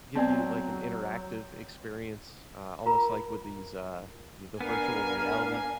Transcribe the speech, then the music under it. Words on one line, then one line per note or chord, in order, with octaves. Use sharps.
give you, like, an interactive experience, uh, almost like with these, uh, th the virtual reality
F#3 B3 C4 D5 A5
F4 A#4 A#5 B5
B3 D4 A#4 F5 G#5